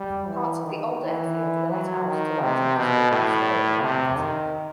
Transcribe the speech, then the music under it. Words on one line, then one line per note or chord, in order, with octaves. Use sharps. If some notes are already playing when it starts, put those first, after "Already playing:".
Parts of the old airfield were let out to light industry and storage companies.
Already playing: G3
E3
D#3
E3
F#3
D#3
C3
B2
A2
C3
D#3